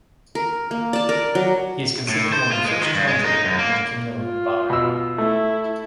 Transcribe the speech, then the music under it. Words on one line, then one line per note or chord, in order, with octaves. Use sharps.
He is considered one of the first translator in the Kingdom of Bahrain.
A#4
A#3
D5 A5
A#4
F#3
A2
C5
F4
G#3
D#3
G2
G#3
D#4
F#2
A#3
F4
B2 E6
A3 E4